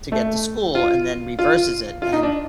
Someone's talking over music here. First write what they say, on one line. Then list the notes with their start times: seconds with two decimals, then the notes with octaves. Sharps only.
to get to school and then reverses it and
0.12 A3
0.75 F4
1.39 F4
2.02 F4
2.13 D#4
2.23 D4